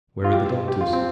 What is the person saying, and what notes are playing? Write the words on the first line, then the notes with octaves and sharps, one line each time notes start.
Where were the doctors?
F4
G4
G4
F4
C4